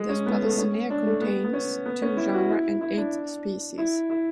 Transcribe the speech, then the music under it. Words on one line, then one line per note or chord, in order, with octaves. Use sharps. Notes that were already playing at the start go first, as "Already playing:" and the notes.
The Spalacinae contains two genera and eight species.
Already playing: G#3
C#4
B3
A3
C#4
D4
A3
B3
B3
C#4
B3
C#4
E4
F#4
E4
E4
D4
E4
E4